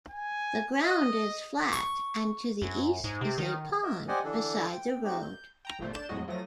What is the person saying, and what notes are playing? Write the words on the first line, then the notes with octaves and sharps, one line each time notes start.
The ground is flat, and to the east is a pond beside the road.
G#5
D#5
C#6
F#2
G#2
C3
D#3
A#4 D#5 E5
G4 C5 D5 D#5 F#5 G#5
D3 E3 D4 A4
G5
A3 C4 D#4 F#4 G4
G6
G5 A#5 A#6
G#1 A#2 F3 A3 C5
D4 A5 G6 E7
F2 A2 F#3 G#3 F#4 D#5
F3 F#3 A3 A#6 D#7